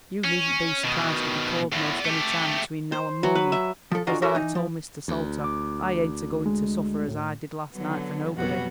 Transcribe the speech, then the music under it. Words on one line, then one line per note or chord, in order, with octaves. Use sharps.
"You needn't be surprised to be called most any time between now an' mornin'; for, as I told Mr. Salter, I ain't a-goin' to suffer as I did last night for nobody."
C#4
B2 D#3
E2 A2
A3 G4
C5
F#3
B4
E5
F3 A4
D3 C#4 F4 F#4 D#5 A#5
E4 F#4 A4 A#4 C#5 E5
E3 D#4
F3
D2
D6
G#3
A2
D3 F#3 B3
F2 B2 F#3 G3 B3 F#4